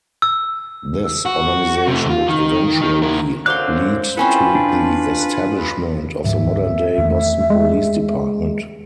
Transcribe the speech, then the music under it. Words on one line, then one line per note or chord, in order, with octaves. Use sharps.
This organization would eventually lead to the establishment of the modern-day Boston Police Department.
E6
F#4
C3 A3
F4
D#3
D#3
E4 A#4
F#2 D3 F#3 C5 F5 C6 F#6
C4 C#4 E4 F4 A4 B4 G#5 B5
D4
D2 G#2 F3 E5
E2 D#3 A3
G#3